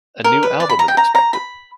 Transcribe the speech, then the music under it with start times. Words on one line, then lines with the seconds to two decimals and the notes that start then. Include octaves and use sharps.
A new album is expected.
0.24 A#4
0.43 B4
0.60 D5
0.69 B5
0.79 A#5
0.88 G5
0.97 A#5
1.15 A#5
1.33 B5